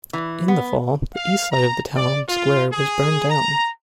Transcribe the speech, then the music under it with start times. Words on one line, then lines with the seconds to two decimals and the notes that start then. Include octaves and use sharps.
In the fall the east side of the town square was burned down.
0.13 E3
0.48 B3
1.14 F5
1.52 A#5
1.95 D5
2.29 F4
2.72 G#4
3.29 A#5